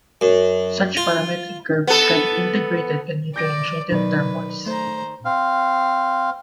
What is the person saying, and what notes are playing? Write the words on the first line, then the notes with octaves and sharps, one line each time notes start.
Such parametric curves can then be integrated and differentiated termwise.
F#2
F4
B3 A4
D5 G6 A#6 D7
B2 D#3 F#3 B4 D5
A3 C5 A#5
C4 F5